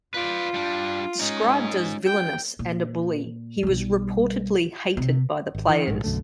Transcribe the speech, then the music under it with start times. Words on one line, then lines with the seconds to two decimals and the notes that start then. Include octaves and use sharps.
Described as "villainous" and a "bully", he was reportedly hated by the players.
0.14 F4 B4 D5
0.54 G3 D4
1.21 G#3 C#4 D#4
2.06 G5
2.59 A#2
3.63 B1 G3
4.97 C3
5.55 G#1
5.69 E3
5.87 A#1 G#2
6.04 B1 F#2 D3 A3